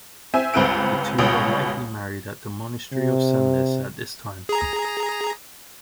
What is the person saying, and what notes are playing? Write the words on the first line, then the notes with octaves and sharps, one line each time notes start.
The two were likely married at the monastery of Senlis at this time.
C4 E5 G#5
G1 C#2 C4 B4 E6 D7
G1 C#2 B2 C#5 D#6 D7
C3
G#4 A#5